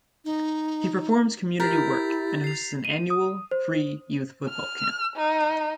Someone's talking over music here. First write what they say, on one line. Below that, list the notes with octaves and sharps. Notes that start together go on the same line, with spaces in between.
He performs community work and hosts an annual free youth football camp.
D#4
E4 G4 A#4 G6 A6 B6
C7 F7
D#7
D#6
C5
F6
D#4